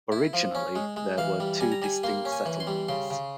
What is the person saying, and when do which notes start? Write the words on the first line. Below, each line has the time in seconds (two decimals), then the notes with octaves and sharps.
Originally, there were two distinct settlements.
0.12 E4
0.34 F3
0.55 C#4
0.75 G#3
0.96 G#3
1.18 E3 F5
1.40 G3
1.61 G3 G#5
1.72 A#5
1.82 G3 G#5
2.03 A#3 C6
2.25 C#4
2.32 G#5
2.46 E3
2.60 C6
2.67 G3
2.88 C#3 C6
3.10 C#3